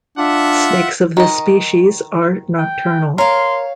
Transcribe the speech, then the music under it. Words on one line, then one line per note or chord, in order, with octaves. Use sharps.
Snakes of this species are nocturnal.
D4 F4 E5 F#5
D#3 D#5
G5
A#4 C#5 F5 C6